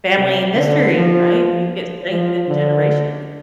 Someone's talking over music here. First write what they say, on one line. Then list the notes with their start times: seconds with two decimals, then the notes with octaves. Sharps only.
family history, right? You get strength in generations.
0.18 C3
0.55 D3
0.94 F3
2.11 F3
2.48 D3